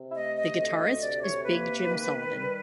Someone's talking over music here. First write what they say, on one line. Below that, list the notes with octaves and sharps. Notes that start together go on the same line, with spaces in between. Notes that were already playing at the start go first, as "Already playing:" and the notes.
The guitarist is Big Jim Sullivan.
Already playing: C3
E5
A3 D#5
D#5
D2 D#5
D#5
C3 D5
C#5
A#3 B4
D#3
G3